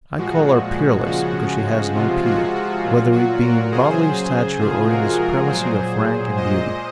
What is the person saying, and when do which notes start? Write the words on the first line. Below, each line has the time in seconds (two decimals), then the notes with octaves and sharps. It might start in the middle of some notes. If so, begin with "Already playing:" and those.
I call her peerless because she has no peer, whether it be in bodily stature or in the supremacy of rank and beauty.
0.18 A#2 F3 G#3 F#4
1.06 C#3 F3 G#3 F#4
1.95 C3 F3 G#3 F4
2.25 F#4
2.54 F#4
2.84 A#2 F#3 F4
3.12 F#4
3.42 F#4 A#4
3.72 C#3 F#3 G#4 C5
4.60 C3 F3 G#3 F4 G#4
4.89 F#4 A#4
5.18 F#4 A#4
5.49 A#2 F#3 G#4 C5
6.36 A#2 G#3 C5 D#5